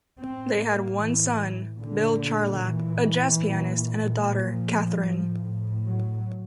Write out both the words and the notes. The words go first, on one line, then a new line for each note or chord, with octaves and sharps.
They had one son, Bill Charlap, a jazz pianist, and a daughter, Katherine.
A2 C4
A#3
E3
A#2 D3
E3
A#2
F3
A2
F#3